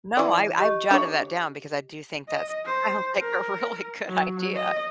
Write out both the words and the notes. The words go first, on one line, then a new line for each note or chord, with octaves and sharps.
No. I I've jotted that down because I do think that sounds like a really good idea.
E3 D5
G4 D#5 C#6
D4 C#5
D#5
C5
A#4
F#3
D#5